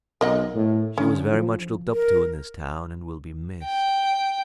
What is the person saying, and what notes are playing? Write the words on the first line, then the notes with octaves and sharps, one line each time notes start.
"She was very much looked up to in this town, and will be missed."
B1 A#4 D#5 F#5
A2
D3 C#4
F3
A#4
G5